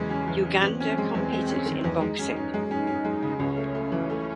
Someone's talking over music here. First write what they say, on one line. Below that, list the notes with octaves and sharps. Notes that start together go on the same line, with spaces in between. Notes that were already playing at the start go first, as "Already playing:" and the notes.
Uganda competed in boxing.
Already playing: E2 C#3 G#3 C#4
C#4
E2
C#4
E2 C4
C#4
G#3
E2
G#3
C#4
D#3
E2
G#3 D#4
C#4
C#4
G#3
C#4 D#4
C#4
G#3
C#3
C#2 C#4
A3
A3
E3
A3